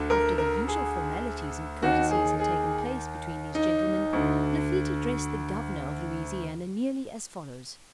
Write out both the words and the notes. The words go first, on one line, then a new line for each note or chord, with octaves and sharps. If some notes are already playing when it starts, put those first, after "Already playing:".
After the usual formalities and courtesies had taken place between these gentlemen, Lafitte addressed the Governor of Louisiana nearly as follows.
Already playing: D2 D3
A#4
A#4
G#4
D#2 D#3 F#4
G#4
G#4
D#4
D2 D3